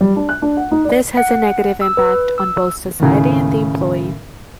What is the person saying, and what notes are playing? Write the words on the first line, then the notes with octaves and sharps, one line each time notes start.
This has a negative impact on both society and on the employee.
G3
D4
F#6
D4
F#5
D#4
D5
F#5
E6
B4
E6
D#2 A2 C#3